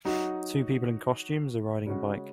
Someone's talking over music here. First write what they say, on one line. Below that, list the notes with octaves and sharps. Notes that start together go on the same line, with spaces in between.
Two people in costumes are riding a bike.
F#3 D#4 F#4
C#3 G#3 C#4 F#4